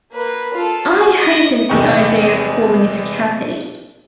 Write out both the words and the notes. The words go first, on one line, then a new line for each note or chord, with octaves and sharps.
I hated the idea of calling it 'Cathy.
A#3 B4
F4 A4
F4 F#4
D#5 D#6
E2 C3 D#4 G#4 G5 C#6